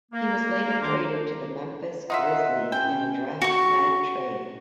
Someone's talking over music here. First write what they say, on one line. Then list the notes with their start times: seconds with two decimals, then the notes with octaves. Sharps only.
He was later traded to the Memphis Grizzlies in a draft night trade.
0.12 A#3
0.80 D2 D#3 D4 C5 A#5 D6
2.10 D#4 F4 E5 F#5
2.72 C#4 G5
3.42 F#4 C#6